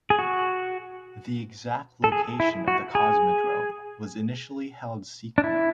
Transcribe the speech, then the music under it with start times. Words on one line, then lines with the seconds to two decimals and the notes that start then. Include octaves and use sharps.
The exact location of the cosmodrome was initially held secret.
0.10 G#4
0.19 F#4
2.04 A4
2.12 G#4
2.40 E4
2.68 F#4
2.95 G#4
5.38 D4
5.44 E4